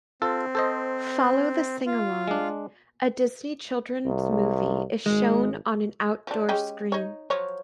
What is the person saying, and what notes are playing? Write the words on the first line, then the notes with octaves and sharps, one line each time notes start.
Following the sing-along, a Disney children's movie is shown on an outdoor screen.
C4 F4 A4
A4 C5 D#5
F4
G#3 D4
C2
G#1 G#3
F3 D4
G#3 C#4 G4
D#4 C#5
F3 F#3 C#5